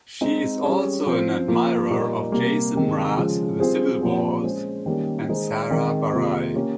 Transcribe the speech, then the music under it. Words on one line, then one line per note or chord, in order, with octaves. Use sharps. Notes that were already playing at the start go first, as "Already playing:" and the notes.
She is also an admirer of Jason Mraz, The Civil Wars, and Sara Bareilles.
G#3 C4 D#4
G3 C#4 G#4
F3 C4 F4 C5
F3 A#3 F4
A#2 G3 A#3 D#4
C3 G3 A#3
C3 D#3 G#3
C#3 F3 G#3
G3 C4 F4 G#4 C5
A#2 F3 C4 G4 C5
G#3 C#4 G#4 C5
D#3 G3 A#3 C#4
D#3 G#3 D#4 G#4 C5
D#3 G#3 C4
C3 D#3 A#3 F4 G#4
A#3 C#4 G4